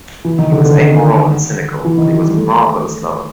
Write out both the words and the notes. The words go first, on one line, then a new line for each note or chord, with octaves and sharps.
He was amoral and cynical, but he was a marvellous lover.
E3
D#3
D3
D3
D#3
E3
D#3
G3
A3